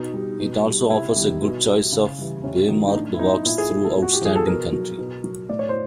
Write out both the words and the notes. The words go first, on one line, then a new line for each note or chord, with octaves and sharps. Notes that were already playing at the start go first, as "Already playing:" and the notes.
It also offers a good choice of waymarked walks through outstanding country.
Already playing: B2 D#4
G3
B2
G3
C3 E4
D#3 G3
B2
G3
C#3
E3 G3
C3 C#4
D#3 F#3
D#4
A2 D4
E4
F#3 D#4
A#2 E4
G#4
G3 G#4
A4
A#2
F#4
G4
F3 G#4
A4
B2 A#4
F#3
B2
F#3
A2 D5
C#5
C5